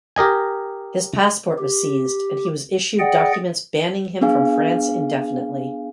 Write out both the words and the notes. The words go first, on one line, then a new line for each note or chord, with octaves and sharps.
His passport was seized and he was issued documents banning him from France indefinitely.
G4 A#4 D#5 G#5
G4
G#4 D5 D#5 F#5 G5
B3 D4 G#4 F5 G#5